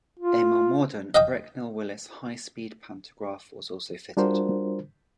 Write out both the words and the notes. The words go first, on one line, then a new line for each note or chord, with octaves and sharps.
A more modern Brecknell Willis high speed pantograph was also fitted.
F4
D#5 F5 G5 D#6
G3 D4 F4 F#4 A#4 C5